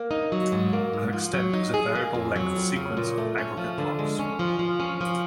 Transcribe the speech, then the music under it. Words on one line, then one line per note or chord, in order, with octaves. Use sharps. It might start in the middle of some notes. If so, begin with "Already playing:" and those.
An extent is a variable-length sequence of Aggregate blocks.
Already playing: A#3
D#4
F#3
G#2
A#3
G#2
F3
F#3
D#4
G#4
A#3
F2
F#3
F2
C#3
A#2
A3
C#4
F3
D3
G#3
C#4
F3
F3
C#4
F3